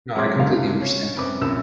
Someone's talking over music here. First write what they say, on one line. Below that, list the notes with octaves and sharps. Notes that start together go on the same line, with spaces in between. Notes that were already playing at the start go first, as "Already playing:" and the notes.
No, I completely understand.
F#3 G#3 C4 C6 D6 G#6
F#1 C3 F5
C#4
F#2 C4 B4 D6
C2 F#2 A#2 E6 E7